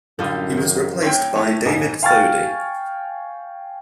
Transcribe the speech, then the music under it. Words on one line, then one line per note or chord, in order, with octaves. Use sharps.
He was replaced by David Thodey.
A1 F#2 D3 G3 F4 A4 D#6
D#3
A2 C4 C#5 G5
A3 C#5
A#1 D#2 G#2 A4 D#5 G#5
F5 G5 G#5 C#6 F6 A6